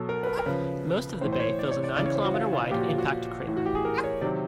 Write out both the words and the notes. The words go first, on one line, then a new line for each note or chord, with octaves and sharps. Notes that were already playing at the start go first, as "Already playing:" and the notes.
Most of the bay fills a nine kilometer wide impact crater.
Already playing: B2 F#3 A4
A#4
B4
A#4
A#4
C#3 F3 B4
A2 E3 C5
C5
C#5
D5
C#5
D5
C#3 E3 C#5 D5
C5
F#4
F4
F4
A#2 F3 G4
F#4
F4
F#4
A2 E3
F#4
G4
G#4
A#4
C#5
C3 D#3 F#3 D5